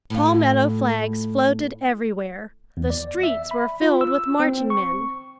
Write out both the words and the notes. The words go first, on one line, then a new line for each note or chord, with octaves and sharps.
Palmetto flags floated everywhere; the streets were filled with marching men.
A2 F4
E2
D5
E5
B5
F4
E6
C4
C#6